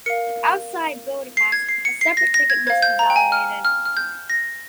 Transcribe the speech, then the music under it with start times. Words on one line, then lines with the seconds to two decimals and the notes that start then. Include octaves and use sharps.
Outside Budapest, a separate ticket must be validated.
0.06 A#4 F5 C#7
1.37 C7
1.52 G#6
1.69 C7
1.85 C#7
2.01 C7
2.17 A#6
2.34 A#6
2.50 G#6
2.67 C5 F5 G#6
2.82 G6
2.99 A#5
3.10 G5
3.16 G#5
3.32 F6
3.65 F6
3.85 F6
3.97 G6
4.30 A#6